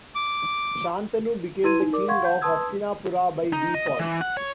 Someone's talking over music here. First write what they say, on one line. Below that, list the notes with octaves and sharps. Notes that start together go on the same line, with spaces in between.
Shantanu became the king of Hastinapura by default.
D6
E4 B4 C6 G#6 D#7
D#4
A#4 D5 D6
F5 F#5 C6 C#6 G#6
F#5 G6
B4 A5 C6 D#6 E6 G#6
D#4
D#5
D#5
E3
F#5
C#5